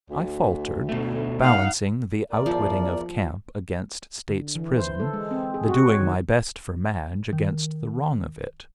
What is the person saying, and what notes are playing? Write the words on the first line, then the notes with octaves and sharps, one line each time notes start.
I faltered, balancing the outwitting of Camp against State's prison, the doing my best for Madge against the wrong of it.
D2
B2 A3
D#4 F5 F#5
E2 A#4 D5
F3
D3
E3
C5
A4
G#3
C4
G#4
F#4
C#5
D#3
D#3